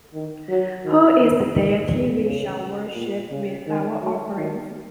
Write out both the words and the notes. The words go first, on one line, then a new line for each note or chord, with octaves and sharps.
Who is the deity we shall worship with our offerings?
D#3
F#3
D#3
D#3
D#3
D#3
C#3
A#2
C#3
D#3
F#3
D#3